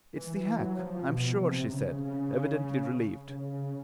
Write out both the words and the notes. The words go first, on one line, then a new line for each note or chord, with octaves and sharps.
"It's the hack, I am sure," she said, evidently relieved.
E3
E3
F#3
F3
B2
C3
C#3
C#3